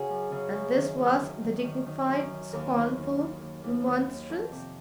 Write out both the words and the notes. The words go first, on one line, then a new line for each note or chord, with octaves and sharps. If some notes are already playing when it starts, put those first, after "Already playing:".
And this was the dignified, scornful remonstrance!
Already playing: C#3 F#4 G#4
F#2
C#3
F#2
D#3
F#2
D#3
D#3
D#3
D#3
F#2
D#3
D#2 A#4
D#3
D#3
D#2
D#2
D#2
D#2
D#3
F2
C3